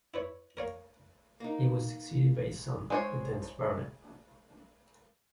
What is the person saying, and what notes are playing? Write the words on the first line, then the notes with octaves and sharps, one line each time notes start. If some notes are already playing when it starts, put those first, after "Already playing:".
He was succeeded by his son, the tenth Baronet.
E4 B4 C#5
A#4 C#5 F5
A#3 D#4
G#3 C5 C#5